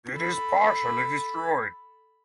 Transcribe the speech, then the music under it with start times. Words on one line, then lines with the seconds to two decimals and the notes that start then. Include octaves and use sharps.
It is partially destroyed.
0.13 A4 B5